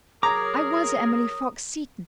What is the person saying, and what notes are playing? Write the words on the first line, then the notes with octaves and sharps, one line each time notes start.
I was Emily Fox-Seton.
F#3 G#4 A#4 C#5 A#5 D6 D#6